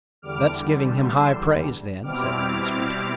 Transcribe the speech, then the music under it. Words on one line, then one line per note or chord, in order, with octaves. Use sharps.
"That's giving him high praise, then," said Ransford.
E2 D3 G3 D6 F6
C6 E6
B2 G3 C4 E4 D6 F6